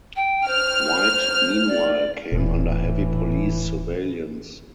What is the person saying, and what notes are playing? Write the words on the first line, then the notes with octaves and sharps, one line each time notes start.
White meanwhile came under heavy police surveillance.
G5
C5 F6
D5
D#1 A2 E3